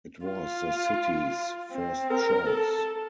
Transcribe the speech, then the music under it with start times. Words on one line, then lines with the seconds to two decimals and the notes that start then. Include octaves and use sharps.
It was the city's first choice.
0.26 F4
1.73 C4
2.10 A#4
2.46 A4